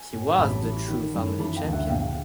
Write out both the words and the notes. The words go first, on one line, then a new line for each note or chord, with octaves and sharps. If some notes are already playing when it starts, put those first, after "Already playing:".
He was the true family champion.
Already playing: G#5
A2
A1 A5 B5
E3
D#3
F#2
E3 A5 B5
F5 G5
D2
E5 F#5
A#1 F5 G5